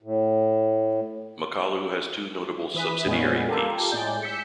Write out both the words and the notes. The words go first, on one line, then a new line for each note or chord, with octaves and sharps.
Makalu has two notable subsidiary peaks.
A2
E3 B4 D#6 B6
F2 A#2 G#3 B3 C#4
F4 G4 A4 A#4
A2 G#3 G#4 D5 G6
E6 G6 B6 C#7